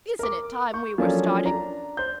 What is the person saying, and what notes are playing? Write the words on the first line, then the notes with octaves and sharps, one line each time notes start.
"Isn't it time we were starting?"
A#4 D6
C#6 G6
F3 F#3 A#3 C#4 D4 A4
D4 A#5
C5 G6